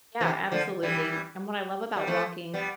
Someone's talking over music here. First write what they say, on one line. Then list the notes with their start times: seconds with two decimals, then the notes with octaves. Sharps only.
Yeah, absolutely. And what I love about walking
0.20 C3 E3
0.52 D3 F3
0.83 E3 G3
1.96 G3
2.07 F3 A3
2.54 G3 B3